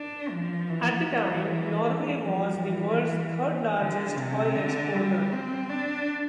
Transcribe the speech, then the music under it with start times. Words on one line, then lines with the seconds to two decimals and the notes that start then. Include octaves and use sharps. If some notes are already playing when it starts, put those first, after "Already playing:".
At the time Norway was the world's third largest oil exporter.
Already playing: D4
0.30 F3
0.69 E3
1.07 E3
2.23 F3
2.62 E3
3.77 D3
4.17 C3
4.55 D3
4.94 G3
5.32 C4
5.70 D4